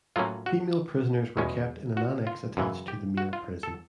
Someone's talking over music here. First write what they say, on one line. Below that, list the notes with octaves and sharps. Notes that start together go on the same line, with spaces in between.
Female prisoners were kept in an annex attached to the male prison.
A2 F#3 A#3 C#4 F4
F#4
E2 B2 G#3 C#4
F#4
F4
F#2 C#3 E3
G4
F#4
F4
A4